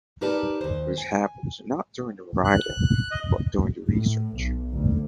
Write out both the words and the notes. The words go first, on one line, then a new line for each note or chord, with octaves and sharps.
This happens not during the writing, but during the research.
D#4 G4 A#4 B4 D5 A5
D#2 C5
G#5
F#6
D#5
A2
B1
D2